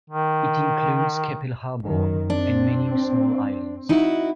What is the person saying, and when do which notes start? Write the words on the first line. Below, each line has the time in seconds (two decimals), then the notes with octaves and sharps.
It includes Keppel Harbour and many small islands.
0.10 D#3
1.85 F#2 D#3
2.30 C4 D4
3.89 D#4 E4 F#4